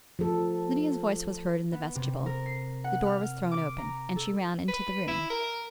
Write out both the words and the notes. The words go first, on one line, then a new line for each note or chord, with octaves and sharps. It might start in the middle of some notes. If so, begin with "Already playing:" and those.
Lydia's voice was heard in the vestibule; the door was thrown open, and she ran into the room.
F3 A4
B3
C3
A#4
C7
F#5
F6
D6
A#5
A4
B4
E4
A#4